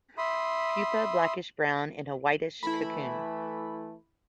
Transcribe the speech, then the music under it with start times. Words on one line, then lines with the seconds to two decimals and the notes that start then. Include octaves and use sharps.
Pupa blackish brown in a whitish cocoon.
0.18 E5 B5 C6 D#6
2.63 E3 A3 E4 B5